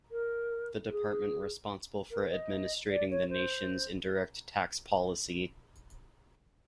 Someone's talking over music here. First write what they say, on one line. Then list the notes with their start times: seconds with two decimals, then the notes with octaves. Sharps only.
The department responsible for administrating the nation's indirect tax policy.
0.11 A#4
0.90 G#4
2.11 A#4
2.30 D#5
2.90 D5
3.10 C#5
3.29 C5